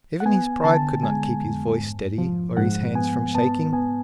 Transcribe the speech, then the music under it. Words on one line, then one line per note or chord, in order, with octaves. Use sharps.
Even his pride could not keep his voice steady or his hands from shaking.
F#5
B3 G#5
D3 A5
G#3 G#5
F2
G#2
F3
G#2 F#5
B3 G#5
B3 A5
B3 G#5